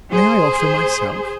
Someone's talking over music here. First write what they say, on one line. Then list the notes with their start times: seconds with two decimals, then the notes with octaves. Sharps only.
"May I offer myself?"
0.11 G#4 C5